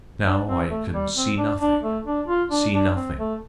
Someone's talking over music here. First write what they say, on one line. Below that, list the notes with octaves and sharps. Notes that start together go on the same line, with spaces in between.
Now I can see nothing--see nothing!
D4
C4
A3
G3
C4
D4
D4
A3
D4
F4
D4
D4
C4
A3